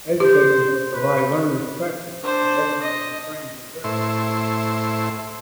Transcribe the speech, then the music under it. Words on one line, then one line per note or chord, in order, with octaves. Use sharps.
Educators must provide learners practice in recognizing frames of reference.
G4 C5
B4
D4 C5
D#5
A2 E4 C5